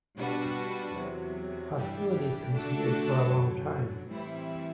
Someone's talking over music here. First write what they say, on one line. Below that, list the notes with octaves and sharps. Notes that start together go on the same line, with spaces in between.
Hostilities continued for a long time.
B2 G3 D4 F#4 B4
E2 C3 F#3
G2 E3 G3 D4 G4
D3 A3 D4 F#4 A4
F#2 D3 F#3
A2 E3 G3 C4 E4